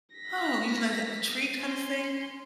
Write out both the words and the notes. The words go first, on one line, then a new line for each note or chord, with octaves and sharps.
Oh, you mean like a a treat kind of thing?
A#6 B6
C#4 C6